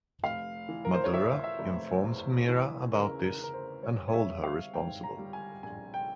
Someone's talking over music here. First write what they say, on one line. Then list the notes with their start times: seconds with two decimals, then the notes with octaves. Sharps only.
Madhura informs Meera about this and hold her responsible.
0.23 F1 F5
0.69 E3
0.85 A#4
0.94 C5
1.04 C#5
1.14 E3 E5
1.44 E5
1.59 F1
2.04 E2
2.49 E3
2.93 C#3 A#4
3.24 A#4
3.39 C#3 A#4
3.54 C5
3.83 G3 C#5
4.08 C#5
4.14 E5
4.29 G3
4.44 F5
4.73 G#2 G5
5.03 A#5
5.18 G3
5.33 G#5
5.63 A#1 G#5
5.94 G5